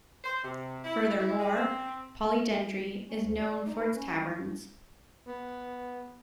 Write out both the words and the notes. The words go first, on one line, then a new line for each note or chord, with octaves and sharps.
Furthermore, Polydendri is known for its taverns.
C5
C3
E4
E4
G#3
C4
C#4
D2
D5
D#4
B4
C#4
C#6
B3